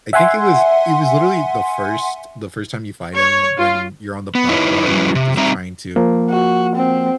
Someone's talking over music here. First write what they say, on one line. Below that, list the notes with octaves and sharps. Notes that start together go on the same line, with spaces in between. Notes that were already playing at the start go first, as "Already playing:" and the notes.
I think it was it was literally the first the first time you fight him, when you're on the platform and you're just trying to
E5 F#5 G#5 C6
C#5
F4
B3
D#4 E4 B4 C#5
F2 F#3 G3 C#4 E4 B4
C3
G3 C4 D#4 E5 A#5
F3 A#3
F#4
C4